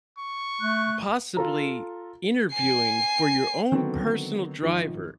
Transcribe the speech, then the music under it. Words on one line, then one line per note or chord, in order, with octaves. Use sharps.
possibly interviewing for your own personal driver.
C#6
A3 F#6
F4 A4 A#5
G#5 C7
D3 D#3 F#3 A3 B3 C4
G#1 F3